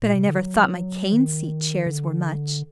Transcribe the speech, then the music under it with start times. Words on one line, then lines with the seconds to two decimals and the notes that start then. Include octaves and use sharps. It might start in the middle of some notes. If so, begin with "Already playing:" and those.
But I never thought my cane-seat chairs were much.
0.02 A#2
0.15 C3
0.27 D3
0.39 F#3
1.13 D#3
1.86 D3